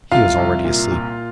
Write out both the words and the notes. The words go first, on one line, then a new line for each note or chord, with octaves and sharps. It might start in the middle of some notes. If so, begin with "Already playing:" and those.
He was already asleep.
C2 F4 F5
C2
A#2
A#2